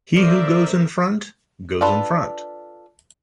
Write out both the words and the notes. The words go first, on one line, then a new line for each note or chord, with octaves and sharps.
He who goes in front, goes in front.
F2 A#4 C5 D5 E5
D4 F4 A4 B4